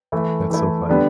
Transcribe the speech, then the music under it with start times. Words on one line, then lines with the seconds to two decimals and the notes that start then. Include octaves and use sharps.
That's so funny.
0.12 E3 A3 E4
0.50 E3 A3 E4
0.89 D3 G3 B3